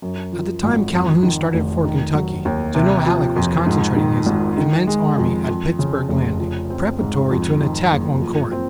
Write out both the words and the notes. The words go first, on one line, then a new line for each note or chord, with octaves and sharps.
At the time Calhoun started for Kentucky, General Halleck was concentrating his immense army at Pittsburg Landing, preparatory to an attack on Corinth.
F#2
F3
G#1
F2
D#3
F1
D#3
F#3
D#2
C3
F3
F2
G#2
D#3
G#1
D#3
G#3
F2
F2
C#3
F1
F3
C4
G#2
F2
D#3
F#1
F3
C4